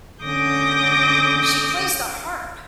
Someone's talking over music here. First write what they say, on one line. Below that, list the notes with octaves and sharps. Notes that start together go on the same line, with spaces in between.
She plays the harp
D3 C#4 D6 D#6 G6 A#6